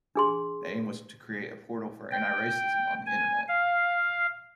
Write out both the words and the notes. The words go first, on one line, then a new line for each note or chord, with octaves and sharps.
The aim was to create a portal for anti-racism on Internet.
D4 G#4 C6
G5
G#5
F5